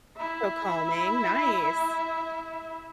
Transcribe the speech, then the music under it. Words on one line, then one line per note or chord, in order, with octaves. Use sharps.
So calming, nice.
E4 E5